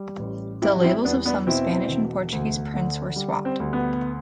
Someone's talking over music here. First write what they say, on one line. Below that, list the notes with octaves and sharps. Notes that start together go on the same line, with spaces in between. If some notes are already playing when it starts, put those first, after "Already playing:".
The labels of some Spanish and Portuguese prints are swapped.
Already playing: G3
A1
G3 E4 G4
F#4
C4 E4
E2 B3 D4
B3 D4
B2 C4 E4
E1
D2
D3
G3
C4
D2
B3